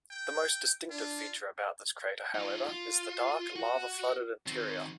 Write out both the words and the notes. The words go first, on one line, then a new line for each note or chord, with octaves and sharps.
The most distinctive feature about this crater, however, is the dark, lava-flooded interior.
G5
D4 F4
D#4 F4
F4
F#4
D#3 C4